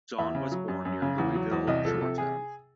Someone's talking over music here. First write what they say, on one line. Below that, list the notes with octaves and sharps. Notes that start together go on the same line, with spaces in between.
John was born near Louisville, Georgia.
E2 E5
C#3
F#3
F#2
F#2
C#3
E2
F#3
E2
C2 D#5
F3 A4
C3 A4
G#4